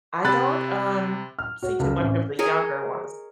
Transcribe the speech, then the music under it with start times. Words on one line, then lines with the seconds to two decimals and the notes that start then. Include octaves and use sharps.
I don't, um, see too much of the younger ones.
0.24 C3 B5 F#6 A6
1.39 F6
1.63 F#4 C#5
1.79 C#2 A4
1.98 A1 C4 C#4
2.39 G#4 A#4 C#5 D#5